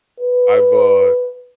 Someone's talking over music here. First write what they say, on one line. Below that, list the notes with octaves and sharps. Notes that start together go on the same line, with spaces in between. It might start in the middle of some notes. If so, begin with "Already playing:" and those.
I've, uh
B4